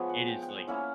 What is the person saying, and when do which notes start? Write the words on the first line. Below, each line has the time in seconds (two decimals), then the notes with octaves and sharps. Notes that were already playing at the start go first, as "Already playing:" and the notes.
it is, like,
Already playing: F3 G#3 B3 C#5
0.09 F#5
0.28 G5
0.43 G5
0.49 F#5
0.67 A#3 C#4 E4